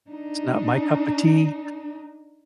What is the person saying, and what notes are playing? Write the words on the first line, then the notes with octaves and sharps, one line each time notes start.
It's not my cup of tea
D4 D#4